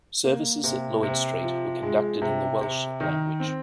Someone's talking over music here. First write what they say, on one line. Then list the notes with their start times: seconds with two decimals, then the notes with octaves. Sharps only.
Services at Lloyd Street were conducted in the Welsh language.
0.25 A#3
0.64 C3
1.03 C3
1.43 F3
1.83 G#3
2.22 C3
2.61 C3
3.01 D#3
3.40 C4